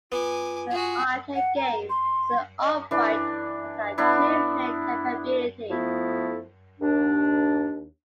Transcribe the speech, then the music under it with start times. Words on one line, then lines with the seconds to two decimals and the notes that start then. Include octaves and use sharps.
The arcade game is an upright that had two player capability.
0.12 B3 F4 G#5 D6
0.70 F4 F#4 G#4
1.35 F#5
1.57 A#5
1.90 C6
2.60 D#5
2.91 E3 D4
3.98 B3 D4 E4
5.69 F3 A3 B3 E4 A4
6.80 D#2 D4